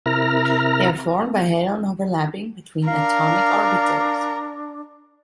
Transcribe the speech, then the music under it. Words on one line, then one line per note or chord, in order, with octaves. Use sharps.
They are formed by head-on overlapping between atomic orbitals.
C3 E4 A#4 A#5 F6
D4 A#4 F5